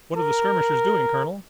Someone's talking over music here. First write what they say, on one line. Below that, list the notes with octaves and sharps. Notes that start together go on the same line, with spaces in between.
"What are the skirmishers doing, Colonel?"
A#4